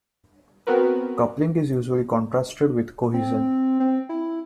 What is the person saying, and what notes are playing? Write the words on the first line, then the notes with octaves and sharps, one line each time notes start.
Coupling is usually contrasted with cohesion.
B3 C4 F#4 A#4 B4
C4
C4
E4